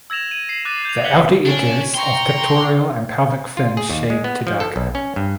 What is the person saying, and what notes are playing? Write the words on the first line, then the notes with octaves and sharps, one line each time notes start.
The outer edges of pectoral and pelvic fins shade to darker.
E6 G#6 A#6 E7 F7
D#7
C7
D6 F#6 A6 D#7
G6 F7
F#6 G#6 B6 C#7 F#7 G7
C#4 D4
G5 A#5 C6 C#6
F4
G#4
D#2
G#3
B3
F3
A4
B1
C#4
G2